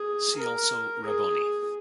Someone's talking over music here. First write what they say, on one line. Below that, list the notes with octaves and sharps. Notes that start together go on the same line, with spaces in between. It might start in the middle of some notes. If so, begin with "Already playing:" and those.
See also Rabboni.
Already playing: G#4
A#4
G#4